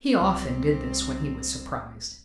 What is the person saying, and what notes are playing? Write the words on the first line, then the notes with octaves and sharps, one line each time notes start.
He often did this when he was surprised.
C2 C4